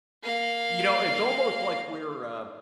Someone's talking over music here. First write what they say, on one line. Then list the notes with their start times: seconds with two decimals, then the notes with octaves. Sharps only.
You know, it's almost like we're, uh,
0.23 A#3 F5